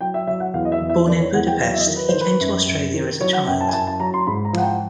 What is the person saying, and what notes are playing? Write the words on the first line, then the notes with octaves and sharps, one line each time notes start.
Born in Budapest, he came to Australia as a child.
F#3 G5
E5
F#3 E5
F#5
E2 F5
D#5
E5
E2
E5
D#3 D5
C#5
E2 F#5
G5
F#3 F5
E5
D#5
D#3
B4
D#3 C5
B4
F#2
F#2
D#3
F#3 C#5
F#5
F#2 G5
A5
G#5
F#2 A5
A5
F#3 A#5
C6
G#2 B5
A#5
F3 F#5
G5